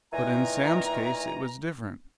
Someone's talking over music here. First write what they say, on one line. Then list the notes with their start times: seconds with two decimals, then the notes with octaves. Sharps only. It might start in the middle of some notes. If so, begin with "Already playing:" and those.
But in Sam's case it was different.
0.13 A#2 D#3 E3 G#5 A#5